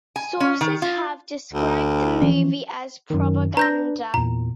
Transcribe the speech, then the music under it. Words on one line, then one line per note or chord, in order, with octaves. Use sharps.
Sources have described the movie as propaganda.
G#5
C#4
D#3
F4
D2
E3 F3 C#4
F#2 D#3
D4 B4 A#5 G6 A#6
E2 A#2 A#5